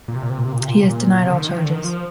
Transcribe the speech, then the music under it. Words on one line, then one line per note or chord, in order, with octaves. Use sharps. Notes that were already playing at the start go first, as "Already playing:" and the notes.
He has denied all charges.
A#2
C3
A#2
C3
A#2
C3
A#2
C3
A#2
C3
A#2
A#2
C3
D3
D#3
F3
D#3
D3
D#3
F3